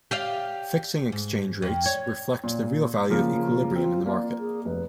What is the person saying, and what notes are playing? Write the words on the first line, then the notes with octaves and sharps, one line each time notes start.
Fixing exchange rates reflect the real value of equilibrium in the market.
G4 D5 F5
G#2
F2
C#5
A#2
C#3 F3 A#3
C4 F4
A#3 D5
G#4
F1 B4